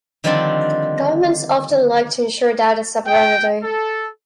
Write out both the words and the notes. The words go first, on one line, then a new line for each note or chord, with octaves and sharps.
Governments often like to ensure data sovereignty.
D3 D#3 F3 G3 C4 D4
G5
A4